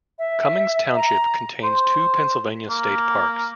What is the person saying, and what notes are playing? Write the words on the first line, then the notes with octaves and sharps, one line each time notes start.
Cummings Township contains two Pennsylvania state parks.
E5
A#5
C5
A#3